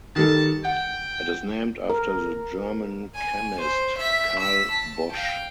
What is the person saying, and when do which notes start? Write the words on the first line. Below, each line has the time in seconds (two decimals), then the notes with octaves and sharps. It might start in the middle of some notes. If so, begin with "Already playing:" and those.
It is named after the German chemist Carl Bosch.
0.16 D#3 G3 A4 A5
0.65 F#5 G5
1.90 A#4
3.14 G#5
3.61 C5
3.98 E5 B6
4.39 E6 B6
4.71 A5
5.12 F5 G5